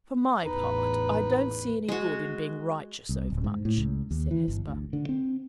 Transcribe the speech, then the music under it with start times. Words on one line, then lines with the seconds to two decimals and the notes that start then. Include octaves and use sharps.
"For my part, I don't see any good in being righteous overmuch," said Hesper.
0.45 A1 E2 D#4 B4
1.88 G#3 F#4
3.09 C2
3.30 D1
3.44 G#2
3.65 A2
3.78 C#2
4.11 D#2
4.31 E3
4.48 G1
4.67 D2
4.93 D3
5.09 C4